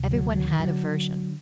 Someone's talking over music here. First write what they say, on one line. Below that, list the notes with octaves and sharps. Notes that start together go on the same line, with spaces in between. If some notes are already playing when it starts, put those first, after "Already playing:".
Everyone had a version.
Already playing: D2 C3
D3 F#3
D3 F#3
D#3
D3 F#3